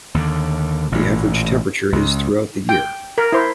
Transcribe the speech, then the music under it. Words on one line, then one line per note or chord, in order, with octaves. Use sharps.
The average temperature is throughout the year.
D#2 D3
A1 A#2
C#2
G5
A#4
E4 C5